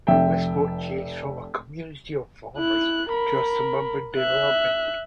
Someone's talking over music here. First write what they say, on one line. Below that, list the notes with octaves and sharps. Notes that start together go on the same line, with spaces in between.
Westport changed from a community of farmers to a suburban development.
F1 E5 G5
E4 F#6
A#4 B5
E5 F#6